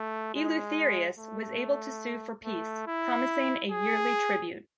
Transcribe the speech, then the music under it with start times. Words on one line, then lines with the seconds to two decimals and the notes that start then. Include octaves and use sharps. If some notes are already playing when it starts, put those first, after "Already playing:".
Eleutherius was able to sue for peace, promising a yearly tribute.
Already playing: A3
0.35 G#3
1.19 A3
2.45 A3
2.87 E4
3.71 G#4